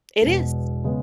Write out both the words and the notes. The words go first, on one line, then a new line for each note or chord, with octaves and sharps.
it is.
E1 E2 B2
C#3 G#3 B3